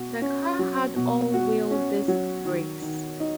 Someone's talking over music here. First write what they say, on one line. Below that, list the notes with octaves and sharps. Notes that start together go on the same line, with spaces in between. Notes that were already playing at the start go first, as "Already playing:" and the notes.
The car had all wheel disc brakes.
Already playing: B2 F#4
C#4
F#3
B2
F#4
C#4
F#3
D#3
D#3
D#4